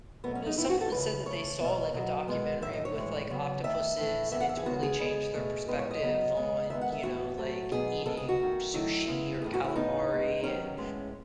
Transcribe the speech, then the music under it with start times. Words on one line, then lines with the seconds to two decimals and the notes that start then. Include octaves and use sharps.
No, someone said that they saw, like, a documentary with, like, octopuses, and it totally changed their perspective on, you know, like, eating sushi or calamari. And
0.24 B2 F#3 A3 B3
0.35 C#4
0.46 D#4
0.58 A2 E3 B3 E4
0.69 F#4
0.81 A4
0.92 C#3 E3 A3 B4
1.26 C#3 E3 A3 C#5
1.60 B2 G#3 B3
1.93 B2 F#3 B3
2.28 B2 G#3 B3
2.62 A2 F#3 A3 E5
2.73 D#5
2.85 C#5
2.96 A2 E3 G#3
3.30 C#3 F#3 B3
3.64 D#3 A3 E5
3.97 A2 E3 A3
4.32 A2 E3 B3 E5
4.40 F#5
4.49 E5
4.57 G#4
4.66 C#3 G#3 B3 F#4
4.83 G#4
5.00 C#3 G#3 B3
5.34 B2 A3
5.68 A2 G#3 B3 B4
5.79 C#5
5.91 D#5
6.02 C#3 F#3 B3
6.36 B2 G#3 B3
6.70 D#3 G#3 B3 E5
6.81 F#5
6.93 E5
7.03 A2 E3 B3 F#4
7.38 A2 F#3 A3
7.72 B2 F#3 B3 G#4
8.06 C#3 G#3 B3 A4
8.17 G#4
8.29 F#4
8.40 D#3 A3
8.74 D#3 F#3 A3 E4
9.08 C#3 G#3 B3
9.41 A2 E3 A3 G#4
9.54 F#4
9.64 E4
9.76 A2 E3 B3 D#4
10.10 A2 G#3 B3
10.44 D#3 F#3 B3 C#4
10.78 A2 G#3 B3